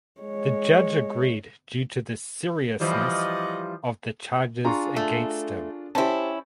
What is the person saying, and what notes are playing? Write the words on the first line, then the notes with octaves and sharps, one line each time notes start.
The judge agreed due to the seriousness of the charges against him.
G#3 C#5
E3 F3 G3 F#4 D5 D#5
D4 F4 G#4 A#5 C6 C#6
A3
C#4 E4 G4 C5 A5